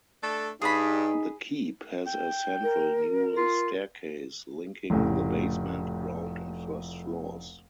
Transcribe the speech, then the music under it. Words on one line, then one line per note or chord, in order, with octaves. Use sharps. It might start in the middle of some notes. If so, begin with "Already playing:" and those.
The keep has a central newel staircase, linking the basement, ground and first floors.
A3 D4 A4
G2 D#4 G#4 B5
G5
A#4
F4
F1 A2 C#3